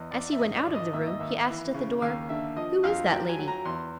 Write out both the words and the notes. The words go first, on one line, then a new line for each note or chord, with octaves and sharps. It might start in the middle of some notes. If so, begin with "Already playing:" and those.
As he went out of the room, he asked at the door, "Who is that lady?"
Already playing: E2 D#5
E2 D5
E5
G#1 D#5
D5
G#1
D#5
D#2 E5
D#5
D#2 E5
E3
C#3
D#2 F5
D3 E5
F3 D#5
F2 F5
F#3 G5
G#5
F#3
A#5
E2 C6